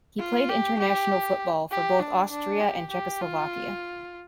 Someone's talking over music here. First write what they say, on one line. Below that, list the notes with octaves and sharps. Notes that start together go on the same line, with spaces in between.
He played international football for both Austria and Czechoslovakia.
F4
G4
G4
G4
D4
D4
G4
G4
F4